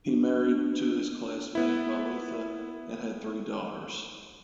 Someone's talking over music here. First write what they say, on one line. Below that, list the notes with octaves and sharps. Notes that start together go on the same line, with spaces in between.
He married to his classmate "Lalitha" and had three daughters.
D4
B3 E4